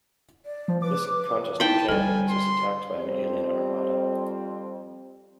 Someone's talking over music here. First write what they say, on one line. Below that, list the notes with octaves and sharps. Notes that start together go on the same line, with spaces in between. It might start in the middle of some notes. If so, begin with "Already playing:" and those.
This 'Contest of Champions' is attacked by an alien armada.
D5
F3
B4 D6
D#4 E4 G5 A5 B5
D3 G3 A4 G#5
C6
F2 G3 C4